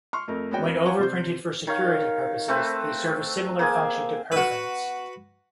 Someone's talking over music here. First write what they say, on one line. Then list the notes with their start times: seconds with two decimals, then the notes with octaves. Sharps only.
When overprinted for security purposes, they serve a similar function to perfins.
0.13 C6 C#6 F6
0.28 F2 A3 A#4
0.51 G#3 B3 C#4 F#4 D5 G5
0.64 F2 F4 A#4
0.86 C5 C#5 F5 F#5 G#5 C#6
0.99 C3 C5 G6
1.67 D#3 C#5 F5
2.48 A3 C4 B4
3.59 A#3 G#4 C5 G#5
4.32 F#4 B4